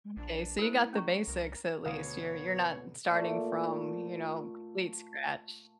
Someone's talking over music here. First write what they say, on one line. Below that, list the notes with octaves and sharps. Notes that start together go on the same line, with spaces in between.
M’kay, so you got the basics at least, you're you're not starting from, you know, complete scratch.
A#1 D4
A3 B3 E4 A4 C5
C#4 A#5 C#6
C2 A#4
D2 B2 D3 B3 C#5 F5 D#6
A#2 A3